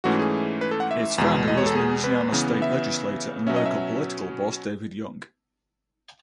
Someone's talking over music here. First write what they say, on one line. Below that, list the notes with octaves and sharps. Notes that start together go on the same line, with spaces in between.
Its founder was Louisiana state legislator and local political boss David Young.
G#2 E3 A3 C#4 F#4
G#4
B4
A4
F#5
E5
E2 B2 G#3
D#5
C#5
A4
G#4
B4
C#3 E3 B3
E5
B2 F#3 C#4 E5
D#5
E5